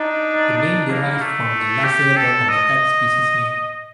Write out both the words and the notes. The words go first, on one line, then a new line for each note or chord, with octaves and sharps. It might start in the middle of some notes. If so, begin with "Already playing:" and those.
The name derives from the last syllable of the type species name.
Already playing: D4 D#4
D4
A#3
A3
G4
A4
D#5